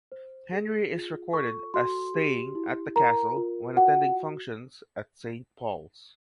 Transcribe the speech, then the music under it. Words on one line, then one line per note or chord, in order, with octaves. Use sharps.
Henry is recorded as staying at the castle when attending functions at Saint Paul's.
C5
G#4
F4
A4 C#6
F#4 C6
G4
E4
A#4 A#5
F4
F#4 F#5